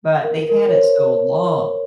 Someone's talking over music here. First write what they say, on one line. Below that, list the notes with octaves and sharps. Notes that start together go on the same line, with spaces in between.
but they've had it so long.
A#4
A#4
C#5
C5